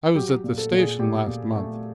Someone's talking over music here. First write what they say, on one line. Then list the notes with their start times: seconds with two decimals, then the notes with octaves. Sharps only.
I was at the station last month.
0.15 F#3 G4
0.44 A#2
0.58 A4
0.72 A#2
0.79 G#4
0.99 A#2 G4
1.27 A#2
1.56 A3